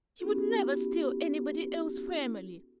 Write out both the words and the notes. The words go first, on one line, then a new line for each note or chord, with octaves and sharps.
He would never steal anybody else's family!
B3 C#4 E4 F#4 G4 A4